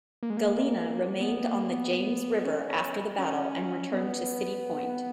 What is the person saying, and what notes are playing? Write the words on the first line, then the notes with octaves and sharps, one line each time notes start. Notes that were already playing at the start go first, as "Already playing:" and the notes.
"Galena" remained on the James River after the battle and returned to City Point.
A#3
G#3
A#3
B3
A#3
B3
C#4
C#4
C#4
B3